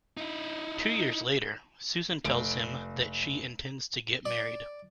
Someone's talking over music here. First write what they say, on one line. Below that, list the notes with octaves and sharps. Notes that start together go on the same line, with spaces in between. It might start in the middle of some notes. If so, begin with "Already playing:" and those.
Two years later, Susan tells him that she intends to get married.
D#4 E4
F1 D7
D5